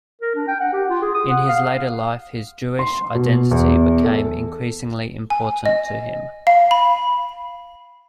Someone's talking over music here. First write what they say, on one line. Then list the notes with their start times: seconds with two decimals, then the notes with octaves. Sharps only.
In his later life, his Jewish identity became increasingly important to him.
0.22 A#4
0.35 D4
0.47 G5
0.60 F#5
0.73 G4
0.89 F4
1.02 G#4
1.14 D#6
1.30 F#5
1.48 F5
2.79 C6
3.15 B2
3.51 E2
4.04 A4
5.30 G#5
5.66 D#5
6.47 F5
6.71 B5